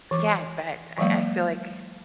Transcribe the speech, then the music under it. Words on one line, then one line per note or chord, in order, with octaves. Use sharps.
Yeah, I bet, I I feel like
E3 D6
E3 F#3 G#3 A#3